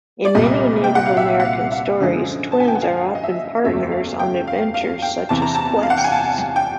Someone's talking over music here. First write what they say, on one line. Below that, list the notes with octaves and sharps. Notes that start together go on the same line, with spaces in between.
In many Native American stories, twins are often partners on adventures such as quests.
D5
C2 A#2 G3 D#5
G5
F#5
F5
E5
F#5
F5
E5
F#2 D3 F3 G#3
A5
G#5
G5
F#5
F5
D#5
E5
F#1 E2 C#3 F#3 A3 E5
F5
G5
F5
F5
G5
E2 C3 E3 A5
A#5
A5
F5
F#5
G5
G#5
A5
G5